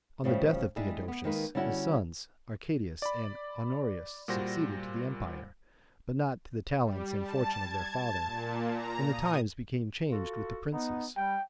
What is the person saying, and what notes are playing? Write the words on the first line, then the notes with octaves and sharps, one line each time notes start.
On the death of Theodosius, his sons Arcadius and Honorius, succeeded to the empire, but not to the talents and fortune of their father; and the times became changed with the princes.
A2 C#3 F3 G3
G3 G#3 D4 E4 G#4
B3
D#3 G#3 A#3 B4
D3 G3 C#4 E4 F#4
D5 B5
A#2 G3 F#4 C5 A#6
G3
A5
G#6
A5
A#2
A#5
D#6
F4 F#4 A4
B3 D#4
G3 G5